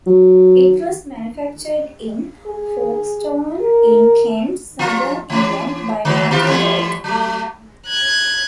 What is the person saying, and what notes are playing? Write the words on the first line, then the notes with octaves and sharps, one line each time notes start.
It was manufactured in Folkestone in Kent, southern England, by Martin Walter.
F#3
G#4
A#4
F3 F4
E3 C#4
D3 D#3 F#3
D#3 F4 G4
E3 G3 A3
F#3 A3
F#6 G#6